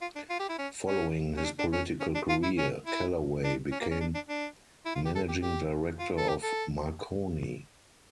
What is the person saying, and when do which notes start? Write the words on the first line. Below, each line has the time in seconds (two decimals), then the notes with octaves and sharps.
Following his political career, Kellaway became Managing Director of Marconi.
0.01 F4
0.16 D4
0.30 F4
0.39 G4
0.49 E4
0.59 C#4
0.87 C#4
1.37 C#4
1.44 D4
1.59 D4
1.73 C#4
2.00 C#4
2.15 D4
2.29 F4
2.43 E4
2.58 C#4
2.86 E4
3.44 D4
3.72 C#4
3.81 A#3
3.91 C#4
4.00 D4
4.15 D4
4.29 D4
4.86 E4
4.95 F4
5.05 G4
5.15 A4
5.29 G4
5.42 G4
5.99 F4
6.18 A4
6.28 G4
6.43 A4